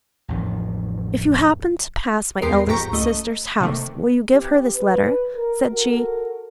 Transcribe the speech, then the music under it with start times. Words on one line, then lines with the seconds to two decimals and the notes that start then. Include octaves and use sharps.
'If you happen to pass my eldest sister's house, will you give her this letter?' said she.
0.28 A1 F2 D#3
2.42 E2 G#3 B3 G4 A#4 C7
2.66 G#1 F2 G#2 G4 A#5 C#6
2.92 C#2 A3 D#5
3.60 C3 D#3 A3 A#3
4.30 E3 C4 G4
4.76 B4
5.35 A#4
5.71 F#4 A4 A#4